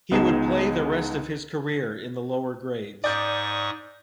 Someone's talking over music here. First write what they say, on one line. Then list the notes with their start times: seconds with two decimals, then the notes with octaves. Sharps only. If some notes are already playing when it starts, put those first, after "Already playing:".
He would play the rest of his career in the lower grades.
0.11 C#2 B3 D#4 G#4 A5 E7
3.04 G#2 D5 C#6 D#6 G6